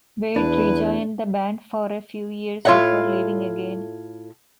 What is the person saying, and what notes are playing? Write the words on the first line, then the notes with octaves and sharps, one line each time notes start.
Wade rejoined the band for a few years before leaving again.
E2 D4 E4 B4
A2 F4 A4 C#5 E5 F#5